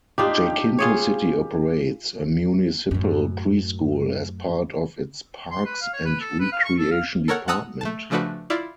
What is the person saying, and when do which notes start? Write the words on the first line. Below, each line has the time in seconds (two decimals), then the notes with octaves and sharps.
Jacinto City operates a municipal preschool as part of its Parks and Recreation Department.
0.18 D4 D#4 F4 G4
0.79 F4 G#4 C#5
2.91 F#2 A2
5.52 C6
5.65 B4
5.82 F5
5.94 C#5
6.05 B4
6.21 A4
6.40 B4
6.52 F5
6.65 C#6
6.79 A4
6.91 F5
7.28 A4 A#4 C#5 F#5
7.48 F#5 A5 A#5 D#6 E6 F#6
7.81 A3 A5
8.10 C#3 F3 A3 D4 F#4 B4
8.50 E4 F4 D5